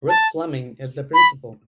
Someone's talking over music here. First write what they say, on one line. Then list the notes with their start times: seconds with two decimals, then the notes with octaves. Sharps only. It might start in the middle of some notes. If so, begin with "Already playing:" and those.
Rick Fleming is the Principal.
0.09 A5
1.14 B5